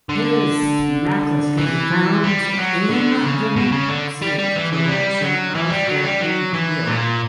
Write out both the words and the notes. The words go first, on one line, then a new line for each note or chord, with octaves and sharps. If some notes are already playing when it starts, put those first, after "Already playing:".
His "Nachlass" can be found in the music collection of the in Kiel.
D3
E3
G3
F#3
D3
C#3
B2
C#3
D3
G3
G3
E3
E3
G3
F#3
E3
G3
F#3
G3
F#3
E3
A#2